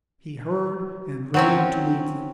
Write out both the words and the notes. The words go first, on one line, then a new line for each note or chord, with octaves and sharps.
He heard, and ran to meet them.
F#3 C4 C#4